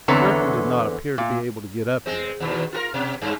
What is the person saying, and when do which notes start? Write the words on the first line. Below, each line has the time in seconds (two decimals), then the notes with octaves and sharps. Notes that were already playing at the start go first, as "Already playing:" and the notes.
But Griffin did not appear to be able to get up yet.
0.08 E2 D3 C4 B4 C#5 A#5
1.18 A#2
2.06 G#3 C4
2.40 D#2 B2 D#3
2.72 F4 F#4 A#4
2.94 B2
3.22 G2 G#3